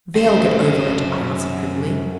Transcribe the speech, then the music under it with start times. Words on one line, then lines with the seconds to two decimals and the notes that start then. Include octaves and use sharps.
'They'll get over it,' I answered, grimly.
0.15 F#2 C5